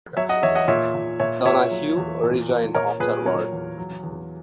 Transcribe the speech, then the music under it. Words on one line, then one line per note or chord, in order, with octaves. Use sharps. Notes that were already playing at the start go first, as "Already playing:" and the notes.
Donahue rejoined afterward.
F#3 C#5 E5
D#5 F#5
E2 C#5 E5
D#5 F#5
A#2 C#5 E5
A#2
A#2 C#5 E5
A#2 C#5 E5
F#3
E2
A#2
A#2
A#2 A#4 C#5
A#2 G#4 B4
F#3 A#4 C#5
E2
F#3
E2